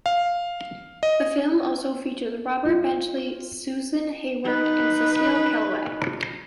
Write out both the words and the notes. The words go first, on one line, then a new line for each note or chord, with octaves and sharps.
The film also features Robert Benchley, Susan Hayward and Cecil Kellaway.
F5
D#5
F4
D#4 B4